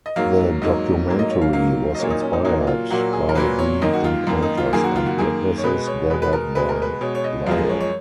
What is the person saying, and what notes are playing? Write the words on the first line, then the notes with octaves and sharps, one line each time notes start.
The documentary was inspired by the encounters and witnesses gathered by Iyer.
D#5
G#2 F#3 A#3 F5
G#2 F#3 A#3 D#5
G#2 F#3 A#3
D#5
C#5
F5
G#2 F#3 A#3 F5
D#5
A#2 F#3 A#3 C#5
D#4
C#4
D#4
A#2 F#3 A#3 D#4
F4
A#2 F#3 A#3 F#4
G#4
A#4
A#2 F#3 A#3 B4
C#5
F#2 D#3 A#3 D#5
F#4
F4
F#2 D#3 A#3
D#4
F4
F#2 D#3 A#3 G#4
F#4
F4
F#4
F#2 D#3 A#3 G#4
C#5
B2 G#3 B4
C#5
B2 G#3 B4
B4
A#4
B2 G#3 B4
A#4
B4
B2 G#3 C#5
C#5
D#5
F#2 F3 G#3 F5
D#5
C#5
C#5